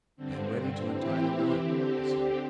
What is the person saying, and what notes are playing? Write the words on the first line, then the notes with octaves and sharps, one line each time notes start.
"I am ready to untie the knot," he said.
G2 D3 C4
E3 C4 E4 G4
D3 C4 G4